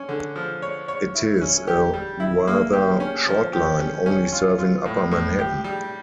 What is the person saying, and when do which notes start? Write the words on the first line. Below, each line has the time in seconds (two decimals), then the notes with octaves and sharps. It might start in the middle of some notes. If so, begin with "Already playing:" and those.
It is a rather short line, only serving upper Manhattan.
Already playing: C#4
0.09 D3
0.36 F3
0.62 C#5
0.88 C#5
1.15 E4
1.41 C#4
1.68 G4
1.94 G3
2.20 E4
2.47 A#3
2.73 G4
3.00 C#4
3.27 F3
3.53 G4
3.79 C#4
4.06 C#4
4.32 F4
4.58 F4
4.86 A2
5.11 A2
5.39 G4
5.64 G3